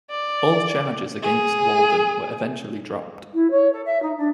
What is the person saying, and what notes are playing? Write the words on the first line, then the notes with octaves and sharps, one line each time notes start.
All charges against Walden were eventually dropped.
D5
G#4
E4
C#5
A4
E5
D#4
D4